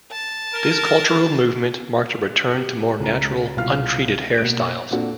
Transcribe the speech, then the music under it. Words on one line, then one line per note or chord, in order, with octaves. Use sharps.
This cultural movement marked a return to more natural, untreated hairstyles.
A5
A#4
G4
C#2 A#5
C2 B2 F4 F5 F6
B2 A#3 D7
A#2 C4 D4 F#4 A4